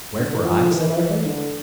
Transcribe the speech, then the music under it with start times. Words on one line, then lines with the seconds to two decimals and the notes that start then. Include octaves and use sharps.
"Wherefore I?" said Arthur.
0.19 D3
0.35 E3
0.46 F3
0.72 E3
0.98 E3
1.25 D3